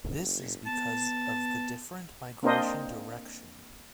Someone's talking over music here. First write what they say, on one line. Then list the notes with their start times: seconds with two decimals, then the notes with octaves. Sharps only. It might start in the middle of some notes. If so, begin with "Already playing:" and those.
This is because of the different migration direction.
0.18 F#1
0.67 B3 A5
2.43 A#3 C4 D4 A#4 C5 D#5